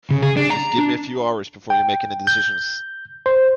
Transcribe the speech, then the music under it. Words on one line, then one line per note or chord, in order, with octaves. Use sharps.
Just give me a few hours before you make any decisions.
C#3
G#4
D4
A#5
D4
G5
G6
C5